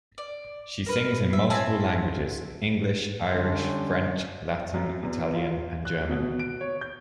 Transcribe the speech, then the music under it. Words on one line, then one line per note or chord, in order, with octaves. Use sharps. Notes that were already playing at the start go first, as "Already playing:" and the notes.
She sings in multiple languages: English, Irish, French, Latin, Italian and German.
D5
A#4 B4
E5
C4 E5 G#5 A5
D3 G3 C#4 A4 C5
F#2
E2
F4
F#6
B2
D7
C#5
G6